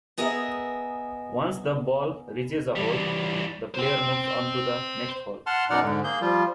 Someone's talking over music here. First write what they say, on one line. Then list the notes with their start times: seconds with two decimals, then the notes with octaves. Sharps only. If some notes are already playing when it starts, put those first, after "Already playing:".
Once the ball reaches a hole, the player moves on to the next hole.
0.18 B3 G#4 A#4 D#5 E5
2.76 E3 G3
3.75 C5 G5
5.46 F#5 A5 C6 F6
5.70 F#2 B2 D#4 D5 F#5 F6
5.82 G#2 D3
6.04 A#3 G#4 G6
6.21 F3 G3 F4